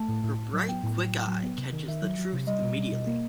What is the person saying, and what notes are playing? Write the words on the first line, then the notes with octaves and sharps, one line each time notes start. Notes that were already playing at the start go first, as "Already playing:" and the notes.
Her bright quick eye catches the truth immediately.
Already playing: A3 A5
A2
A2
A2
F#3
B3 G5
A2
F#3
A2
F#3
B3
C3
D#3
D#3 E5
F#3
F#3
C3
G3 D#5
B2
G3
B2
A#3